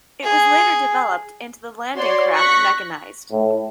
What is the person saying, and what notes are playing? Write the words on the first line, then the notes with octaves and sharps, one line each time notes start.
It was later developed into the landing craft mechanised.
G#4
F#4 C#5 D5 C6
C#6 F#6 A#6 B6
A2